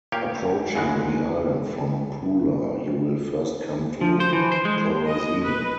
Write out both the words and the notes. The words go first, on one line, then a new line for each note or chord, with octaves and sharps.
Approaching the island from Pula, you will first come to Porozina.
A#2 A#3 G4 C#5 F5
F#2 A#2 C#3 E3 F#3 G#3
F3
C5
E3
C5
G#3
D#5
B4